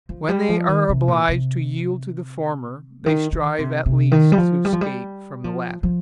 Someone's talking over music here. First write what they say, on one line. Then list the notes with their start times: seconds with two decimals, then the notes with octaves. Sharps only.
When they are obliged to yield to the former, they strive at least to escape from the latter.
0.09 F3
0.29 G3
0.49 F3
0.69 D#3
0.89 C3
1.08 A#2
1.29 C3
3.06 D#3
3.33 D#3
3.59 C3
3.86 C3
4.12 D#3
4.32 G3
4.38 F3
4.65 G3
4.73 F3
4.81 G3
5.44 F3
5.83 F3